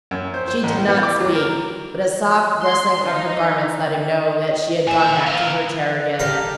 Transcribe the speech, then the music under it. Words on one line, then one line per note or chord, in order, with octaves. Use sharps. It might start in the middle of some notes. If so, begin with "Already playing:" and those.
She did not speak, but a soft rustling of her garments let him know that she had gone back to her chair again.
F#2
C5
C5
A1
G3
B3
D6
F#3
A#4
C6
D#4
A#2 E5 G#5
B3 A#4 F5
G3 D#4 G4 A4 B4 F5 A#5